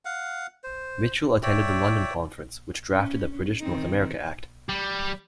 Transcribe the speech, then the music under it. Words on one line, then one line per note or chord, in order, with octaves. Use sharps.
Mitchell attended the London Conference, which drafted the British North America Act.
F5 F#5
C5
C#5 D5 E5 G5
C#4
D#3 C4 D#4
G3